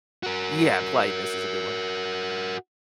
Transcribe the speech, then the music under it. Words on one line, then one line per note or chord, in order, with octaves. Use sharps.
Yeah. Politeness is a good one.
F#4 A#4